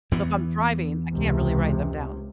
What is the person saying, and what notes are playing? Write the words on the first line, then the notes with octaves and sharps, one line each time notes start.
So, if I'm driving, I can't really write them down.
E2 E3 B3
C#2 C3